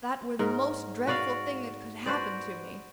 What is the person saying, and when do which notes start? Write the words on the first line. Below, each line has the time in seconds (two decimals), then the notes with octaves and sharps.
That were the most dreadful thing that could happen to me.
0.39 G#2 A#4
1.07 F#4 B4 D5 F5
2.06 F#4 B4 C5 D5